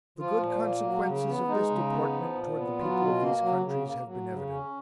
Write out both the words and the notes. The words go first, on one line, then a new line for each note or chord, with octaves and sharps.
The good consequences of this deportment toward the people of these countries have been evident.
F3 F4
A#2
A#3
F#3
C#3
B3
G#3 D#4
C#3
B3
F3
A#2
B3
F#3 F4
B2
A#3
F#3
C#3
A#3
F#3
C#3
C#4